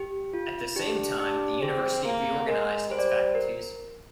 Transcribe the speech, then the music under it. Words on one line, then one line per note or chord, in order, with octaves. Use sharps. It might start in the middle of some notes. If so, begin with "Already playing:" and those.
At the same time, the university reorganized its faculties.
Already playing: G4
F4
D4 G4
D4 G4
C4 G#4
A#3
G#3 A#4
G3 C5
D5
C5
A#4